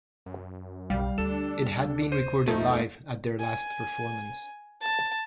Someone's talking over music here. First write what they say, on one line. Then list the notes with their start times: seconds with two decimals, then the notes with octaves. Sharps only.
It had been recorded live at their last performance.
0.26 F#2
0.90 B1 G3 F5
1.18 D2 D4 A4 E7
2.12 C5 D#7
2.48 F2 F3 A3 D#4
3.39 G#5
4.81 A5